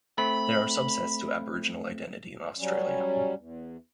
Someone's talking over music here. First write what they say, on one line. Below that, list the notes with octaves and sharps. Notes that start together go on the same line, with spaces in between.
There are subsets to Aboriginal identity in Australia.
A3 C4 B5
F#3 G3 C#4
E2